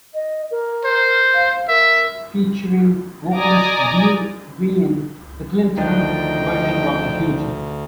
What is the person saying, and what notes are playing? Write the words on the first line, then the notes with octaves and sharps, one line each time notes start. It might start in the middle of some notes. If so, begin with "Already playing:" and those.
Featuring vocalist Bea Wain, the Clinton version was a huge hit.
D#5
A#4
C5
F5
A#4 E5
D5 D#5 G#5 A#5 D6 D#6
D2 D#3 F3 D4 D#5 G5